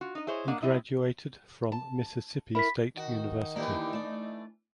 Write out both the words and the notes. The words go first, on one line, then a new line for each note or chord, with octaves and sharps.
He graduated from Mississippi State University.
F4 F#4
D#4 D#5
E4 G#4 C5 C#5 D#5
A#3 D4 D#5 F#5
G3 B3 C4 E4 D#5
A5
E4 A#4 B5 B6
D#3 D#4 F#4
E3 A#3 D4 E4 G4
A3 D5